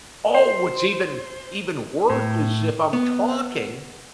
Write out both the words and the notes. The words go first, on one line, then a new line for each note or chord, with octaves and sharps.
Oh, what's even even worse is if I'm talking
C5
A2
B3